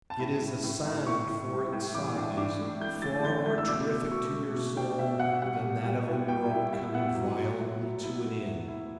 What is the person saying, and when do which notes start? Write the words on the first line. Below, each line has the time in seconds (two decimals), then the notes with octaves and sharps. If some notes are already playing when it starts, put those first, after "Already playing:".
It is a sound, for its size, far more terrific to your soul than that of a world coming violently to an end.
0.10 A5
0.19 A2 B5
0.41 A2
0.64 A2
0.85 A2
1.06 A2 C#6
1.28 A2
1.51 G3
1.72 A2
1.94 E3 D6
2.15 D4
2.37 D4 D6
2.59 A3
2.80 A3 G6
3.02 A3 A6
3.25 E3 G6
3.46 A3 G6
3.58 E6
3.68 B2 D6
3.90 B2
4.11 B2 C#6
4.33 A3
4.54 B2
4.76 D4 G5
4.99 B2 E5
5.19 B2 F#5
5.42 G3 F#5
5.64 G3
5.85 G3
6.08 A2
6.28 G3 G5
6.51 E4
6.72 G3 E5
6.93 B3 F#5
7.15 F#3
7.37 F#3
7.59 A3
7.81 F#3
8.03 E4
8.24 A3
8.46 A3
8.68 E4